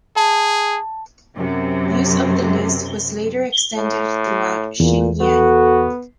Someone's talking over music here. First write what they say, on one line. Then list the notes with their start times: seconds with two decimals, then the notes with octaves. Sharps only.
Use of the list was later extended throughout Xinjiang.
0.16 G#4 A5
1.37 F#2 C3
3.75 A2
4.80 E2 A#2
5.21 B3 F#4 A4